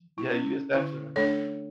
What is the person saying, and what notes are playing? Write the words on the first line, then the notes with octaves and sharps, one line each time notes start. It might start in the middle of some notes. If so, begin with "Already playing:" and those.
Yeah, you just have to
E4
C#4
D3 E4
A3 D4 A4 C#5